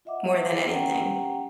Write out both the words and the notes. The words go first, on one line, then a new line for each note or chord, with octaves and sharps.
more than anything.
F4 D#5 E5 F#5 D6
C#4 G4 F#5 G5 A#5